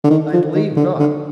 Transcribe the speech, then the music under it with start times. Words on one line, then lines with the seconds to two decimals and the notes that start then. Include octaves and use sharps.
"I believe not."
0.04 D3
0.10 D#3
0.33 F3
0.55 D#3
0.77 D3
1.00 D3